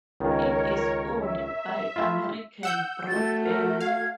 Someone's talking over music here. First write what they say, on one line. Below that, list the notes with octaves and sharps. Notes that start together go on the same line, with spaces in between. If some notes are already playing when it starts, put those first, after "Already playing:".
It is owned by American Broadband.
C#2 D#3 A#4 C#5
E5
A3 E4 F4
F#5 E6 G6
A3 F#4 A6
A#4
F5 G#6